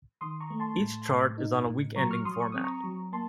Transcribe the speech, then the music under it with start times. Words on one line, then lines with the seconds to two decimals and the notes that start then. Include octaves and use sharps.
Each chart is on a week-ending format.
0.21 D#3 C6 D#6
0.41 A#5 C#6
0.50 A3
0.60 A5 C6
0.80 A2
1.09 A2
1.38 D#4
1.67 A2
1.96 F#3 A#5 C#6
2.10 C#6 F6
2.25 F#3 C6 D#6
2.40 C#6
2.52 C4 D#6
2.64 A#5 C#6
2.84 F#3
3.13 A#3 A5 C6